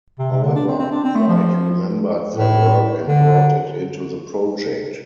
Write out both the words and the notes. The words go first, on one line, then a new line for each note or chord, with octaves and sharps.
However, Wright remembered their work and brought it into the project.
C3
C3
D3
D4
C4
C4
D4
C4
A3
F3
A2
D3